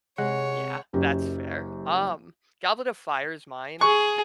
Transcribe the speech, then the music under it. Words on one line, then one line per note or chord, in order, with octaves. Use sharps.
Yeah, that's fair. Um, Goblet of Fire is mine.
C3 G#3 C#5 F#5
F#1 F#2 G4
G#4 C#6